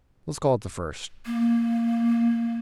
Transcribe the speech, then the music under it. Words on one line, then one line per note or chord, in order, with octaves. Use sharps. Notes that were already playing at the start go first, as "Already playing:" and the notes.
Let's call it the first.
A#3